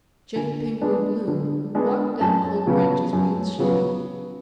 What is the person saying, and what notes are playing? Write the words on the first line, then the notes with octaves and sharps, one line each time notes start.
J. Pinkney Bloom walked down Cold Branch's main street.
D3 G#5
G#3 B3 D4
D3
G#3 B3 D4
F#2 A5
C#3 F#3 B3
F#2
C#3 F#3 B3